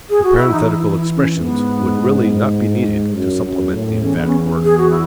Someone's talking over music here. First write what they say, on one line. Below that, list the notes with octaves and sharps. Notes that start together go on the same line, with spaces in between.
The parenthetical expressions would really not be needed to supplement the emphatic words.
G#4
F#4
E4
E3 D#4
E4
E4
C#4
G#2 B3
F#2
F#2
A2
E2 C#4
B3
C#4
G#4
F#4
E4